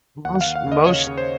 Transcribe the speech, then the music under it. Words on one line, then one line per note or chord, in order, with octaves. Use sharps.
Most most
D#2 F#5
F#5
F5
D#2
F5
D#2
D#5
C#3 C#5
C#3
C5